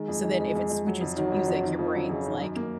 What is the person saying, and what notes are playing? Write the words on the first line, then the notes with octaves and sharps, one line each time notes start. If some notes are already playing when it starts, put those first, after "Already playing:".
so then if it switches to music, your brain's, like,
Already playing: D#3 G#3
F2
D#3
F2
F2
F2
F#3
F2
D#3 F#3
F2
F2
D#3
F2 F3
F#3
F2 C#3
D#3
F#2
A#3